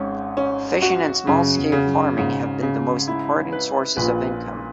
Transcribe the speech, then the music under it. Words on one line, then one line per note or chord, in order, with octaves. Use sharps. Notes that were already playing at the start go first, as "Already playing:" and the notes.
Fishing and small-scale farming have been the most important sources of income.
Already playing: G#1 G#2 C#4
C#4
F#4
F#2 C#3
E2
C#3
F#2
G#1 G#2 C#3
C#3
E4
B4
A#1 A#2 B4